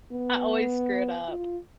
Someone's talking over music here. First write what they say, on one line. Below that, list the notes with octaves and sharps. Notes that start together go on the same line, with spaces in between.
I always screw it up.
B3
F4